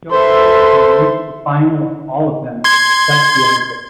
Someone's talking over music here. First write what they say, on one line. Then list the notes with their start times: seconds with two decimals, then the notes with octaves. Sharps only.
Djokovic has reached the final of all of them except the Olympics.
0.12 A4 B4 C5 E5 C6
2.64 C6 G#6